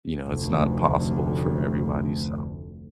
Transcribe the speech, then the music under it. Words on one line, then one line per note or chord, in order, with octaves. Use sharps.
you know, it's not possible for everybody, so
F1 D2